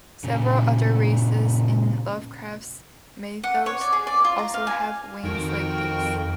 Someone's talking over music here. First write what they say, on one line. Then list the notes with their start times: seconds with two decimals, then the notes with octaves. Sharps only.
Several other races in Lovecraft's Mythos also have wings like these.
0.24 A#2 C#3
3.44 F#5
3.66 C#5
3.81 D5
3.93 G#4
4.07 D5
4.25 F4
4.39 A#5
4.54 F5
4.67 G#5
5.23 F2 D#3 F#4 A#4 G5